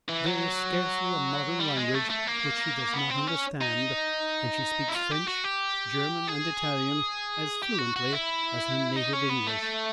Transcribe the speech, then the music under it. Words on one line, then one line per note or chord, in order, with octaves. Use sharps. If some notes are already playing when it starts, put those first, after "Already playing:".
There is scarcely a modern language which she does not understand, and she speaks French, German and Italian as fluently as her native English.
E3
F#3
G3
G#3
A3
A3
A#3
B3
C4
C#4
D#4
E4
F4
G4
F#4
G4
G#4
G4
F#4
F#4
E4
D#4
C#4
B3
A3